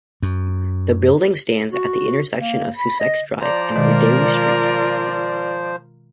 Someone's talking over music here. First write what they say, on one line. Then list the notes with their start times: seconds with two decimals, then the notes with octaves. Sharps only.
The building stands at the intersection of Sussex Drive and Rideau Street.
0.22 F#2
1.72 F#4
2.37 A#3
2.77 B5
3.00 D#5
3.41 F3 C5 D5 A#5
3.76 B2 D#3 G#3 F4 A#4